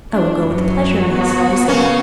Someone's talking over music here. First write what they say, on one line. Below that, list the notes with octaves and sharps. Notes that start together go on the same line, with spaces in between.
"I will go with pleasure, miss," he said.
D4
F#2 F#3
B3 F#4
C#3 C#4 A#4 B4 F5